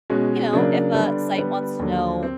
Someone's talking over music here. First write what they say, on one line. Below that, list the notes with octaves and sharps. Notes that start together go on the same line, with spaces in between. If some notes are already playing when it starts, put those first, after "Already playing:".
you know, if a site wants to know,
B2 G#3 C#4 F#4
C#3 F#3 A#3 D4
D3 G3 B3 D4
D3 G3 B3
D#2 D3 F#3
C4